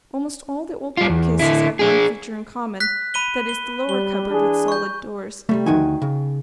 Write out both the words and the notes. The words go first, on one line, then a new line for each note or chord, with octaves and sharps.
Almost all the old bookcases had one feature in common: that is, the lower cupboard with solid doors.
G3 F4
E2
D3 E4
D4 G#4
F#6 B6
B5 D#7 G7
G7
G3 G7
E3 D4 G#4
C#6 G6
C3 G3 A3
D2 D#3 F#4 G#5
C#3